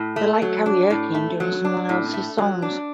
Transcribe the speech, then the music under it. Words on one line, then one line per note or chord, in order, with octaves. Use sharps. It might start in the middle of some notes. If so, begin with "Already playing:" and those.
They like karaoke and doing someone else's songs.
Already playing: A2
A3
F#3
D4
A2
A3
F#3
D4
A2
A3
F#3
D4